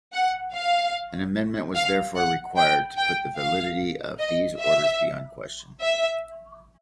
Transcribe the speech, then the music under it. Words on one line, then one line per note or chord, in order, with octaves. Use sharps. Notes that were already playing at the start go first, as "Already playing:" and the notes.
An amendment was therefore required to put the validity of these orders beyond question.
F#5
F5
F5
F#5
G5
G5
F5
D#5
E5
E5